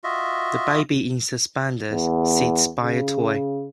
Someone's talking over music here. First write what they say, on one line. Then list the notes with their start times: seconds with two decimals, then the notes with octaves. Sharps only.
The baby in suspenders sits by a toy.
0.04 F4 F#4 D#5 E5
1.92 E2
2.82 C#3